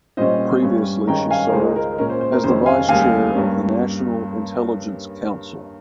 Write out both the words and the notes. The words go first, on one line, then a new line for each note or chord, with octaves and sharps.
Previously she served as the Vice Chair of the National Intelligence Council.
A#2 G3 C#4 C5 D#5
G2 G3 C#4
G2 D#3 G#3 C#4 G5 A#5
F5 G#5
A#4
C#2 C#3 G#3 D#4 C5
A#4
A#2 G#3 C#4 A#4
C5
C5
A#4
F2 C3 D#3 G#3 C#4 C5
F5 G#5
D#2 C#3 G3 F5 G#5
G2 G3 A#3 C#4